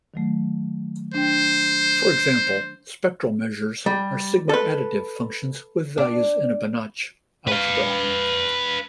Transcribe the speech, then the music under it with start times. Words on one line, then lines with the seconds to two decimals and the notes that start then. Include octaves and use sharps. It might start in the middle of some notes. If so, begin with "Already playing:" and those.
For example, spectral measures are sigma-additive functions with values in a Banach algebra.
0.14 D#3 F#3 A3
1.14 D4 C5 G5
3.86 G3
4.49 A4 B4
5.98 D4
7.47 B4 F5